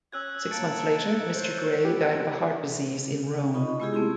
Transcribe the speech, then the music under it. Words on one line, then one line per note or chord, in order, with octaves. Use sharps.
Six months later, Mr. Gray died of a heart disease in Rome.
C#4 E6 F#6 G#6
A#3 A5 A6 C#7 D7
C5 C#5
B3 G4 G5
D#4 F4 D#5 B5 C#6
G#3 B3 E4 F4 G4 G#4
A3 B3 C4 E4 G4